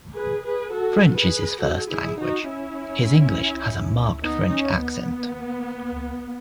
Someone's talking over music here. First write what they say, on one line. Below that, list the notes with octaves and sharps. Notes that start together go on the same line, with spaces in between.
French is his first language; his English has a marked French accent.
G#4 B4
G#4 B4
F#4 A4
G#4 B4
F#4 A4
E4 G#4
D#4 F#4
C#4 E4
B3 D#4
C#4
B3